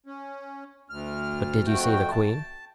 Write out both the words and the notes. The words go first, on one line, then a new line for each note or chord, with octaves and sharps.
"But did you see the queen?"
C#4
D2 F6
F2 A3 F#4 G5
A5